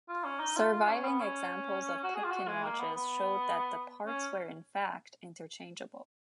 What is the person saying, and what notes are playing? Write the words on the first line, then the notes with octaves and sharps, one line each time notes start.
Surviving examples of Pitkin watches showed that the parts were, in fact, interchangeable.
F4
C#4
D#4
F4
F4
C#4
B3
C#4
F#4
G#4
F4
F#4
G#3
A#3
B3
B3
C#4